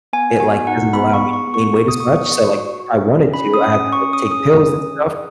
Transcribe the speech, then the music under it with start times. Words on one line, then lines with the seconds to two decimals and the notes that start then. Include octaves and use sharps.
it, like, doesn't allow me to gain weight as much, so, like, if I wanted to, I have to, like, take pills and stuff,
0.13 B3 G#5
0.40 F#4 G#5
0.67 D#4 F#5
0.93 B3 B5
1.14 C#6
1.20 G#4
1.33 C#6
1.47 B3
1.54 C#6
1.73 B3
1.88 D#6
2.00 B3 C#6
2.19 D#6
2.26 G#4 C#6
2.54 F#4
2.80 F#4
3.06 C#4
3.33 C#4 B5
3.54 D#6
3.60 C#4
3.73 D#6
3.86 C#4
3.92 C#6
4.13 C#4 D#6
4.31 D#6
4.39 G#4
4.66 C#4
4.94 G#4